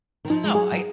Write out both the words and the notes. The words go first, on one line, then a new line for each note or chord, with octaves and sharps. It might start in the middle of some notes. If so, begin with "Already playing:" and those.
I don't know, I
D#3
F3 D#4
G#3
F#3 G#4
F#3